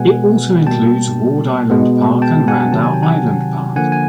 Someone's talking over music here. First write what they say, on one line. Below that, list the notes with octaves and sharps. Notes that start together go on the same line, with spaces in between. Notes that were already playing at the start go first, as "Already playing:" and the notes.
It also includes Ward Island Park and Randall Island Park.
Already playing: B2 G#3 B3 F#5 G#5
B2 G3 A#3 G5 A5
B2 G#3 B3
G5 A5
F#5 G#5
C3 D#3 F#3 A5
G#5
G5
F#5 G#5
D3 F3 A#3 F#5 G#5
G#5